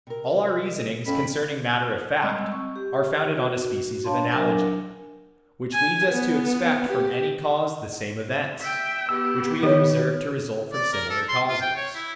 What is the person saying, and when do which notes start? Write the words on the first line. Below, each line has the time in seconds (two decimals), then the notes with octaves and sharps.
All our reasonings concerning matter of fact are founded on a species of Analogy, which leads us to expect from any cause the same events, which we have observed to result from similar causes.
0.07 C3 A#4
1.06 F2 C#4 B5
2.22 G3 G#3 C4 D#5 E6
2.52 C#6
2.76 G4
3.36 F#4
4.04 D4 C#5 F5 A5 B5 C6
4.32 F#3 D4 A#4 G#5 D6
5.73 G#5
6.11 B3
6.89 G4
8.60 E5 G5
9.09 B3 G4 E6
9.63 D#3 A4 C#5
10.73 D5
10.93 A#4
11.10 A4
11.29 C6
11.49 F4
11.61 G5
11.76 C#5
11.95 E4